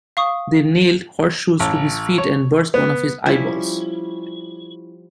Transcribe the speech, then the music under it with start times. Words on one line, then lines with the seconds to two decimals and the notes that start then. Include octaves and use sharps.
They nailed horseshoes to his feet and burst one of his eyeballs.
0.17 F5 C#6 D#6
1.60 A1
2.18 C#5
2.74 B3
3.26 F3 G3 C#4 E4